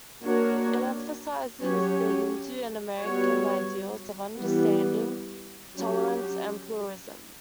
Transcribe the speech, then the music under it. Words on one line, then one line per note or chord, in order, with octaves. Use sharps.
It emphasises the Hindu and American ideals of understanding, tolerance and pluralism.
A#3 D4 F#4 A#4 C#5
F#3 C#4 G4 C#5
G3 B3 F#4 C#5
E3 G3 B3
F#3 C#4 G4